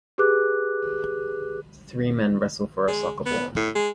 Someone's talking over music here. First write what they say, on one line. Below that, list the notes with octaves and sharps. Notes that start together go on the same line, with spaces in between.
Three men wrestle for a soccer ball.
G4 G#4 B4 D6 F#6
G#3
B3
A2
G#3